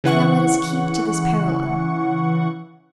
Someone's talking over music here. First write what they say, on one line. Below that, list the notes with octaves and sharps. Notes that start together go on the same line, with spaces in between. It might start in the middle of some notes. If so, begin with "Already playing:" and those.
Now let us keep to this parallel.
C#3 E3 F#5 C#6